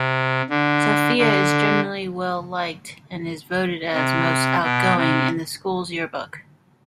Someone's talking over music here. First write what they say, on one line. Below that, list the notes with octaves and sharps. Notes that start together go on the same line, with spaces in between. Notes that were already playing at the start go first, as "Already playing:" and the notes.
Sofia is generally well-liked and is voted as "Most Outgoing" in the school's yearbook.
Already playing: C3
D3
D3
C3
B2
C3